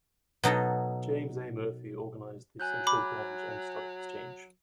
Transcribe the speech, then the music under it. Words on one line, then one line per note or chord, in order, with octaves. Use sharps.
James A. Murphy organized the Central Grange and Stock Exchange.
B2 F#3 D#4 A4
F#3 G#5 F#6 G6
B5 D6